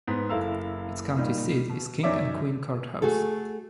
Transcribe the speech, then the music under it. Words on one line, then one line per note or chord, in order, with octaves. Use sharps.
Its county seat is King and Queen Court House.
G#2 B3 B6
F#1 E4 A4 F5 A#5 E6
A#2 G3 D#4
B2
F#2 D#4 C#5 D5 E5 D6
A3 F#4 G#4 A4